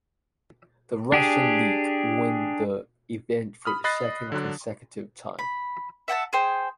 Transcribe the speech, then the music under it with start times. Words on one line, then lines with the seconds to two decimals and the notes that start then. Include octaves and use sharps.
The Russian League won the event for the second consecutive time.
1.12 D4 G4 G#4
3.65 B5 D#6 F6
3.84 D#5 B5 F#6 A6 C7
4.32 D3 F#3 D4
5.39 B5
6.08 E5 F#5 G5 A5
6.33 G#4 C5 G5